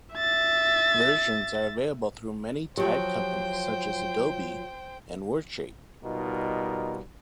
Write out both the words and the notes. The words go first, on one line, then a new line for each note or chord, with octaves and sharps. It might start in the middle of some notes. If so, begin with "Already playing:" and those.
Versions are available through many type companies such as Adobe and Wordshape.
E5 A6
F3 F#3 G4 C5 G5
B2 G3 D#4 F4 A#4